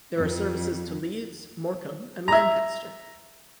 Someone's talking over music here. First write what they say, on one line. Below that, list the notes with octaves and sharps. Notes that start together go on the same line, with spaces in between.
There are services to Leeds, Morecambe and Lancaster.
F2
E5 A#5